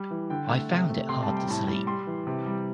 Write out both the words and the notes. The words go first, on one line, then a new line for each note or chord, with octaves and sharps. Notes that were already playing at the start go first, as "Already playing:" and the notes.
I found it hard to sleep.
Already playing: G3
E3
D3 G5
A3
C3
A3
C3 C6
A5
G3
G5
A2 A5
G3
G3 C6
E3
C3
G3